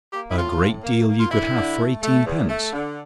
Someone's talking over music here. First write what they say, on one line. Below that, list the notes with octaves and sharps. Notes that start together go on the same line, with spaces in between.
A great deal you could have for eighteenpence!
A#3 G4
E4
A2 F4
A2
A#3
A#3
F4
D3 E4
D3
A3
A3
E2
A3
D3